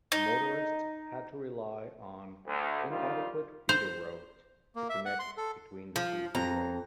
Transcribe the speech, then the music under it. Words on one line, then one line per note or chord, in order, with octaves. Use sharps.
Motorists had to rely on inadequate feeder roads to connect between the two freeways.
D#4
D2
D#3 F3 G3 F4
C5
A#3
E5
F#5
C6
A4
F3
F2 A#5